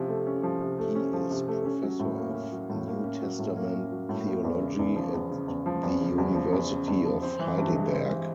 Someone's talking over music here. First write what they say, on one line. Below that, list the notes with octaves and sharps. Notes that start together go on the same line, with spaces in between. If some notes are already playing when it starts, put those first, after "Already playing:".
He is Professor of New Testament Theology at the University of Heidelberg.
Already playing: C3 F3 C#4
A3
C#4
F3
C3
A3
C#4
F3
C3
A3
C#4
F#3
A2
A#3
C#4
F#3
A2
A#3
C#4
F#3
A2
A#3
C#4
F#3
A2
A#3
E2
C#3
E2
F3
E2
C#3
E2
F3
E2
C#3
E2
F3
E2
C#3
E2
F3
C4
E3
G2
G#3
C4
E3